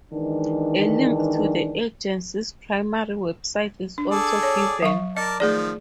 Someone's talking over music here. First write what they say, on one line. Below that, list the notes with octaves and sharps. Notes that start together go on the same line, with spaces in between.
A link to the Agency's primary website is also given.
D#3 E3 G#3 D4
D4
G#4 A4 D5
C#5
F#3 F5 C#6
A#4 D5 D#5 A5
D#3 F3 A3 G#4 D5